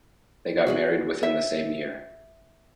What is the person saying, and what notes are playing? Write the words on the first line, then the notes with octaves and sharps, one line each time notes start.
They got married within the same year.
F#4 G#4 B4
E5